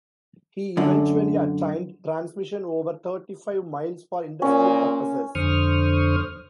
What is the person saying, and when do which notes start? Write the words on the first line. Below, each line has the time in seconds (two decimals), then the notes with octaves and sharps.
He eventually attained transmission over thirty-five miles for industrial purposes.
0.77 F#2 D3
4.42 A#2 C#4
5.35 F2 D3 C5 C#6 D#6 F6